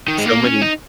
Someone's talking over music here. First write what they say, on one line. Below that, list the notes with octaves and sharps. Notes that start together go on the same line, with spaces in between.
so many
D#3
G#3
A#3
C#4
D#4